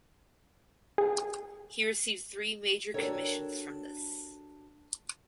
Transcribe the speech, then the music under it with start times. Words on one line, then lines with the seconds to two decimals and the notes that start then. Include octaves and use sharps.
He received three major commissions from this.
0.98 G#4
2.94 D4 F#4 G4 A4 A#4 C#5